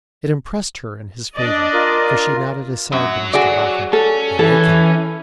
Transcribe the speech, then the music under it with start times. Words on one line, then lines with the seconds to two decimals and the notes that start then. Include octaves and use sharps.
It impressed her in his favour, for she nodded aside to Mr Boffin, 'I like him.'
1.35 D4 D5 D#5
1.73 F4 A#4
2.92 F#2 F#3
3.34 F#4 G#4 D5
3.93 C#4 A4
4.39 E3 A4